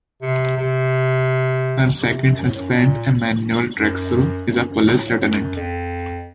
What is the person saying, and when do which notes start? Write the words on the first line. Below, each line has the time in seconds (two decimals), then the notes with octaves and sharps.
Her second husband, Emmanuel Traxel, is a police lieutenant.
0.22 C3
0.58 C3
2.00 C3
2.36 F#2
2.46 A2
2.56 F#2
2.71 A#2
3.78 F#2
4.50 F#2
4.68 F#2
4.86 A2
5.13 A2
5.21 F#2
5.56 F2